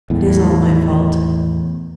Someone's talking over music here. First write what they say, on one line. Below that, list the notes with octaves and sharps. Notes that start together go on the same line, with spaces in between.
It is all my fault.
E2 A2